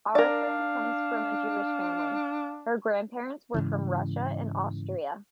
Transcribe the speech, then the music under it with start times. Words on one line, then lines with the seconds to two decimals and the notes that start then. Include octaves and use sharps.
Aronson comes from a Jewish family; her grandparents were from Russia and Austria.
0.15 D4 A#4 D5 F5
3.54 G#2 C#3 E3